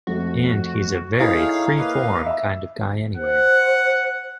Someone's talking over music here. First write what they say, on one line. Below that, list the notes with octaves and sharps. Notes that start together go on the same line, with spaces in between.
And he's a very free-form kind of guy anyway.
F2 A3 F#4
D#4 E4 G#4 A4 C#5 F5
A#3 B4 D#5
E5
C5 F#5